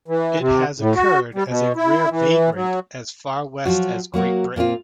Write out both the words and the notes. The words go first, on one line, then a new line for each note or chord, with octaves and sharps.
It has occurred as a rare vagrant as far west as Great Britain.
E3
C3
A2
F#4
G3
B2
E4
E3
F#3
F3 F#3 F4 F#4
F#3 A#3 F#4 A#4
A#2 A#3 C4 F4